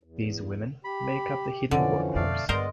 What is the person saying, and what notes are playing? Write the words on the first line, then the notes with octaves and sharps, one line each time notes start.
These women make up the hidden work force.
E2
G4 B5
F2 D3 E3 F3 C#4 D5
F2 B2 A3 D5 F5
G2 G#3 B3 A#4 C5 D5 D#5